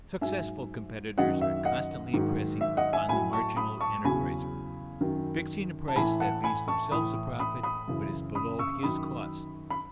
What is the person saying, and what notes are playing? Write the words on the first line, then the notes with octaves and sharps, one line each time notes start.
Successful competitors are constantly pressing upon the marginal enterpriser, fixing a price that leaves themselves a profit, but is below his cost.
G#2 F#3 E5 G#5
F#2 D#3 F#3 D#5 F#5
E5
D#5 F#5
G#2 D#3 F#3
E5
D#5 F#5
E5 G#5
A2 F#3 G#5 B5
A5 C#6
B5 D#6
A5 C#6
E2 C#3 F#3 G#5 B5
F#2 D#3 F#3
A5
A2 E3 G#5 B5
F#5 A5
G#5 B5
A5 C#6
A2 E3 B5 D#6
B5 D#6
B5 D#6
F#2 C#3 E3
B5 D#6
C#6 E6
F#2 D#3 F#3 B5 D#6
B5